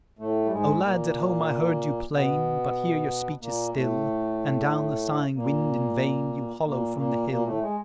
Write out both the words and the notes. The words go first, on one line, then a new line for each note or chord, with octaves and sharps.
Oh lads, at home I heard you plain, But here your speech is still, And down the sighing wind in vain You hollo from the hill.
A2 A3
G3
G#2 G#3
A#2 A#3
B2 B3
A#2 A#3
A2 A3
A#2 A#3
A#2 A#3
A#2 A#3
A#2 A#3
A2 A3
G#3